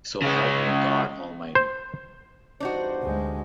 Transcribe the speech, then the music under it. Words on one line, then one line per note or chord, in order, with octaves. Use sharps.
So help me God almighty.
C#3 G#3
C5
E2 G2 D4 D#4 F#4 C5
D2 G#3